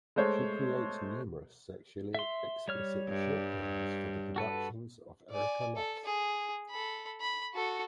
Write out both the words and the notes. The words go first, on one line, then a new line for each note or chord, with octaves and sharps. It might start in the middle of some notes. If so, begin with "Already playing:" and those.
She creates numerous sexually explicit short films for the productions of Erika Lust.
G#3 A3 C5 C#5
E5 C6
G3 C#5 F6
G2
F#4 A4 B4
D5 G#5
A4
G#4
A4 B5
B5
F#4 A4